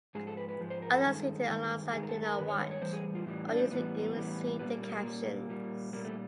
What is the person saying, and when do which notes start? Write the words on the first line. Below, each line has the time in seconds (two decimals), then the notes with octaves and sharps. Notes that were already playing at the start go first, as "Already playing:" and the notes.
Others seated alongside do not watch, or usually even see, the captions.
0.15 G#2 F3 G#3 G#4
0.27 A4
0.37 B4
0.49 B4
0.60 G#2 F3 G#3
0.70 C5
0.82 A#4
0.93 A4
1.05 G2 D#3 G#3
1.49 G2 D#3 G#3
1.93 G2 D#3 G#3 G#4
2.03 A#4
2.09 A4
2.23 A#4
2.38 G2 D#3 G#3 B4
2.48 C#5
2.60 C#5
2.71 C#5
2.82 A2 E3 G3 C5
2.93 G#4
3.15 F4
3.26 A2 E3 G3
3.48 D4
3.59 C4
3.70 A2 E3 G3 B3
4.16 A2 E3 G3
4.59 A#2 G3 B3
4.71 A#3
4.82 A#3
4.93 A#3
5.04 A#2 G3
5.49 A#2 G3
5.93 A#2 G3 A#3
6.05 A3